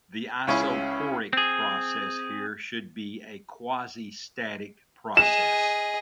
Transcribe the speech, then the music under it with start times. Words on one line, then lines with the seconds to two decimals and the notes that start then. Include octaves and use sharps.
The isochoric process here should be a quasi-static process.
0.47 C#2 C#3 C#4 E4 B5
1.33 C4 G#4
5.17 G#4 D#5 E7